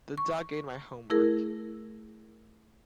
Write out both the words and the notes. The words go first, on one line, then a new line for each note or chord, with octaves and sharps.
The dog ate my homework.
C#6
A3 E4 G#4 A#4